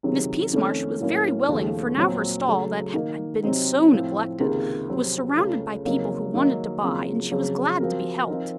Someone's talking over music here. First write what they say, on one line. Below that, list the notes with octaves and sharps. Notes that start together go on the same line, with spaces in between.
Miss Peasmarsh was very willing, for now her stall, that had been SO neglected, was surrounded by people who wanted to buy, and she was glad to be helped.
C#2 C3 D#3 F#3
F2 D#3 A3 C#4
A2 F#3 A#3 C#4
D#2 C#3 F3 A3
A#2 F#3 C4
C#3 F#3 A3
D#3 A#3 D#4
C3 F#3 C4 D#4
A2 F3 C4
C#2 C3 D#3 A#3
F2 C3 F#3 C4
C#2 C#3 A3
F2 C#3 F#3 A#3 D#4
D#3 F#3 A#3 D#4
F2 C#3 F#3 A#3 F4
F2 C#3 F#3
F3 C4 F#4 A#4
F3 C4 D#4 A#4